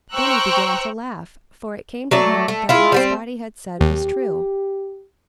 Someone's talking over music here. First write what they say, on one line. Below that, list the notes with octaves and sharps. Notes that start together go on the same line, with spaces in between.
Then he began to laugh, for it came to him that what Spotty had said was true.
C5 G5 A#5 C#6 E6 F#6
F#3 A3 D5
A3
E4 F4 G#4
G3 B3 C4
D#2 G4